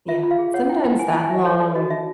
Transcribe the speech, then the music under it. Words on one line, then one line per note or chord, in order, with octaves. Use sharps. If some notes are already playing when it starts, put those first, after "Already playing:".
Yeah. Sometimes that long
F4 E5
F4
F5
G#4
C#5 F#5
E4 G5
E4 G5
E4 G#5
E4 A5
G#5
E4 D#5 E5
A4 C#5
A4 D5
F#4 D#5
D#4 E5